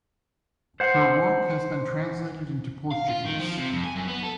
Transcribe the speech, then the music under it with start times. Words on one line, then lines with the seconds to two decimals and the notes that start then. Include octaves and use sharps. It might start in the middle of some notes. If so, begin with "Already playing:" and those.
Her work has been translated into Portuguese.
0.80 C5 F#5
2.91 F5
3.09 F4
3.25 D#3
3.39 F3
3.57 C3
3.73 F2
3.84 G#5
3.96 F#2
4.08 B3
4.23 A4